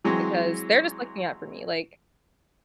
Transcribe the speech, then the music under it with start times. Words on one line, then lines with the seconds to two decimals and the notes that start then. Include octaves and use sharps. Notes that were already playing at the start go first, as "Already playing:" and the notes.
because they're just looking out for me. Like,
0.05 E3 F#3 G#3 C4